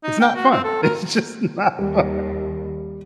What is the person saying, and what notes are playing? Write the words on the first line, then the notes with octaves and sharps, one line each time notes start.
it's not fun! It's just not fun.
D#4
G5
F#4
C4
A4
A#4
D#2 G3